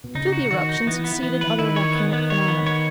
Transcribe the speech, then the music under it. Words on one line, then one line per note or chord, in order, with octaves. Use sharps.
To the eruption succeeded other volcanic phenomena.
B2
C#3 D#4
F#4
D#3 F#4
D#4
E3 B3
B3
E3 B3
B4
E3
D#3 E4
C#5
B3
B3
C#5
B3
C#5